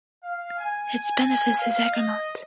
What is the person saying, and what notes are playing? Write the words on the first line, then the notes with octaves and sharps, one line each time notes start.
Its benefice is Egremont.
F5
G#5
G#5
G#5
F5
D#5